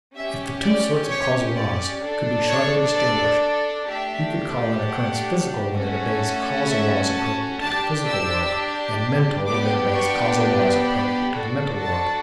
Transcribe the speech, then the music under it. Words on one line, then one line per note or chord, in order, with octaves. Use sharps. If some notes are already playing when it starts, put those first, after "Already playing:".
If the two sorts of causal laws could be sharply distinguished, we could call an occurrence "physical" when it obeys causal laws appropriate to the physical world, and "mental" when it obeys causal laws appropriate to the mental world.
C#4 G4 E5
D5
C#5
D5
D4 A4
C#5
D5
A3 D4 G4 E5
F#5
A3 C#4 F#4 A4
E5
A5
D4 G4 A5
E6
B3 D4 G4 D6
C#6
B5
D4 F#4 A4
A5